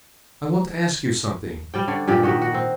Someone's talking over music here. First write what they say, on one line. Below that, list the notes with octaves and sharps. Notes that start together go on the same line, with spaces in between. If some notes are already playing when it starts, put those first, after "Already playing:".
I want to ask you something.
G3 D5 G5
D3 C#5 D5
G2 A#2 G4 D5
D#3 F#4 G4
F#4
C4